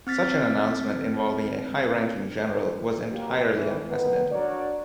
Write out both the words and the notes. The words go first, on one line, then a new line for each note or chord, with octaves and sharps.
Such an announcement involving a high-ranking general was entirely unprecedented.
C4 F6 A6 B6
F#2 A#3 G4
E3
D#3 B3
D4 F#4 A#4 C#5 D5